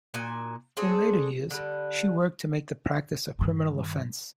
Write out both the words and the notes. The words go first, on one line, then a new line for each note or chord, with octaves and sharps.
In later years, she worked to make the practice a criminal offense.
A#2 D#4 F#4 G#5
C4 D4 G#4 A4
D3 G3
G2 D#3